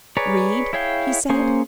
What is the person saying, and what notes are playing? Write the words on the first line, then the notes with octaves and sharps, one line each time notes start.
"Read?" he said.
G#4 B4 C#5 D5 A#5
E4 G#4 C#5 F5 G5
A#3 C#4 G#4 C5